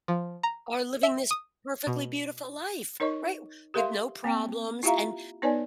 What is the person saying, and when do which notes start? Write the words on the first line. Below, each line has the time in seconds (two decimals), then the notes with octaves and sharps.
are living this perfectly beautiful life. Right, with no problems, and
0.08 F3
0.43 A#5
1.03 E5
1.31 D#6
1.87 B2
3.00 D#4 A#4 C#5 D#5 C#6
3.74 G4 A4 A#4 E5 F5 C6
4.24 A#3 C4 G5
4.83 E4 F4 G4 E5 F5 A#5
5.42 B3 D#4 B4 C#5 D5 G#5